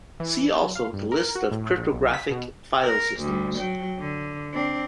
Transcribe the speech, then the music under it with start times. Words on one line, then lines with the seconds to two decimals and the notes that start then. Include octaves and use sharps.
See also the list of cryptographic file systems.
0.20 E3
0.61 F#3
0.75 F5
0.93 G2
1.12 A#4
1.35 F#4
1.51 A2
1.77 A#1
1.93 B1
2.14 B6
2.31 B2
2.83 A#4
3.21 D2 G3
3.58 F#3 G5
3.99 D3
4.53 C4 D4